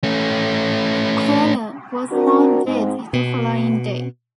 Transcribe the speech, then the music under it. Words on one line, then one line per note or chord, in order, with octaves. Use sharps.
Cuellar was found dead the following day.
A3 C#4
C4 D4 F#4 A#4
G#2 C4
B2